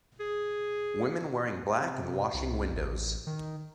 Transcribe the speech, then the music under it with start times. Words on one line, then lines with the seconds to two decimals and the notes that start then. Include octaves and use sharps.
Woman wearing black and washing windows.
0.20 G#4
1.80 C3
2.34 C2
2.73 A1
3.27 D#3